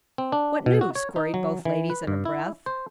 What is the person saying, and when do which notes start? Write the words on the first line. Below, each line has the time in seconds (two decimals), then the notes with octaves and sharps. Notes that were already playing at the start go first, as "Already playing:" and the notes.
"What news?" queried both ladies in a breath.
0.18 C4
0.32 D4
0.66 B2
0.81 F#4
0.95 C#5
1.16 D#4
1.34 F#3
1.65 E3
1.90 B4
2.07 G2
2.25 E4
2.66 C5